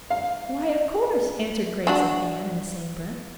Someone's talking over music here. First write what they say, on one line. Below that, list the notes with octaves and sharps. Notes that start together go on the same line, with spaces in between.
"Why, of course," answered Grace and Anne in the same breath.
F5
F#3 D4 F#4